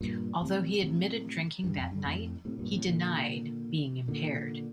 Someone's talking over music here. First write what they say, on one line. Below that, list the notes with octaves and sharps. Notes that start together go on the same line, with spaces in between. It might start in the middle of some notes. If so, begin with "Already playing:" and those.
Although he admitted drinking that night, he denied being impaired.
G2 A#2
A2 C3
A2 C3
G2
F2
G2
F2 A2
A2 C3
G2 A#2
A2 C3
A#2 D3
A#2 D3